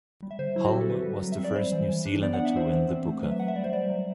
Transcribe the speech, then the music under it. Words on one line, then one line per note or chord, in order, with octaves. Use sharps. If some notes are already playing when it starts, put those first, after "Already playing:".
Hulme was the first New Zealander to win the Booker.
G3
E5
D3 C5
F#3 E4
F#4
C4 G4
A4
D3 B4
G3
F#3
E5
C4
D5
G3 C5
E3
E3
D4
B3 D5
F#5
D4
E5
C4 C5
E3
C4
A3
F#3 B4
E5
F#3 F#5
E5
G3 D5
C5
G3 D5
F#3